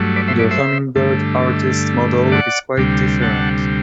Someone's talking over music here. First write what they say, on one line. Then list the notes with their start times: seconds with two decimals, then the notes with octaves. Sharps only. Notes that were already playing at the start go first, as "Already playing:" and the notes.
The Hummingbird Artist model is quite different.
Already playing: G2 F#3 A3
0.16 B4 D5
0.28 C5 E5
0.39 B4 D5
0.51 C5 E5
0.95 G2 D3 A3
2.32 D5 F#5
2.77 D2 C3 G3
3.22 F#5 A5